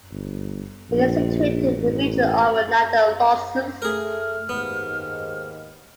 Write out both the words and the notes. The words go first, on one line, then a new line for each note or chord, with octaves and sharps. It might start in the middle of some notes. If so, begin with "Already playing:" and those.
It is situated in the region of Niederlausitz.
G1
A#1
A1
A3 G#4 A#4 F6
D#2 G#2 B3